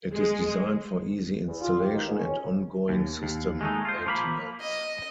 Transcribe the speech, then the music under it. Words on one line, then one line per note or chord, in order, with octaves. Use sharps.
It is designed for easy installation and ongoing system maintenance.
G#3
E2
F4
G4
D#3
G#2
C#4
D#2
D#2
G#3 A3 D#4
F4 C5
F3 A#3 B5
D#5